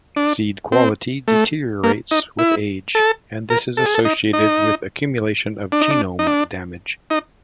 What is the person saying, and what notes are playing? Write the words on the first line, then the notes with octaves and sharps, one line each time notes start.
Seed quality deteriorates with age, and this is associated with accumulation of genome damage.
D4
C4
A3
A#3
D#4
E4
A4
A#4
A4
G#4
A4
D#4
D#4
D4
D#4
D4
D#4
D4
D#4